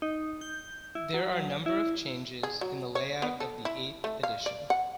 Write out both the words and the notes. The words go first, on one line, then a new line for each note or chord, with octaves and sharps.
There are number of changes in the layout of the eighth edition.
D#4
G6
E4
F#3
E4
G#4
F#3
C#5
B3
A4
E4
A3
F5
D5
F#5